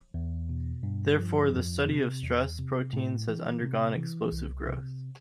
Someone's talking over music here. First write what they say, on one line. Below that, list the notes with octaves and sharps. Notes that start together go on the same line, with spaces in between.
Therefore, the study of stress proteins has undergone explosive growth.
E2
B2
G2
F3
F2
C3
E2
C3
A2
E3
C3
E3
C2
C3